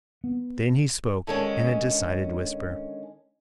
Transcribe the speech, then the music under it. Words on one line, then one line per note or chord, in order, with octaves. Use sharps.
Then he spoke in a decided whisper.
B3
D3 D#3 G#3 C#4